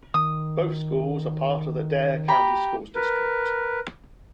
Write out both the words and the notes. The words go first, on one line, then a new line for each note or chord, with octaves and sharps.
Both schools are part of the Dare County Schools district.
D#3 D#6
G4 A#5 B5
A#4 B4